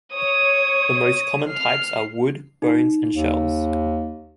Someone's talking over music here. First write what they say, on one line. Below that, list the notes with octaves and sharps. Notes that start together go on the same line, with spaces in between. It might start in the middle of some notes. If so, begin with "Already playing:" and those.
The most common types are wood, bones, and shells.
C#5 D#6
F6 C7
D#4
D#2